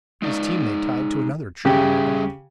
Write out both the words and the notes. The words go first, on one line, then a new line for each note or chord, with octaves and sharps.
His team they tied to another tree near by.
G#3 D#4 D5
C#3 G3 G4 G#4 E5